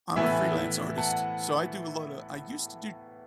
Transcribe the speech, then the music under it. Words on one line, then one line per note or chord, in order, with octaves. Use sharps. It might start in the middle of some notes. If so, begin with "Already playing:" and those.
I'm a freelance artist, so I do a lot of I used to do
A2 E3 B3 E5 G#5
F#5 A5